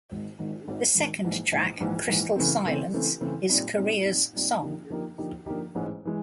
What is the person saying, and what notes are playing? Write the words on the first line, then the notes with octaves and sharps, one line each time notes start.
The second track, "Crystal Silence", is Corea's song.
G#1 G#2 D#3
G#1 G#2 D#3
G#1 G#2 D#3
G#1 G#2 D#3
A#1 G#2 E3
A#1 G#2 E3
A#1 G#2 E3
A#1 G#2 E3
C#3 E3 A3 C4
C#3 E3 A3 C4
C#3 E3 A3 C4
C#3 E3 A3 C4
A#2 G3 C4 D#4
A#2 G3 C4 D#4
A#2 G3 C4 D#4
A#2 G3 C4 D#4
D3 F3 A#3 D#4 G4
D3 F3 A#3 D#4 G4
D3 F3 A#3 D#4 G4
D3 F3 A#3 D#4 G4
A1 G#2 E3 G#3
E3 G#3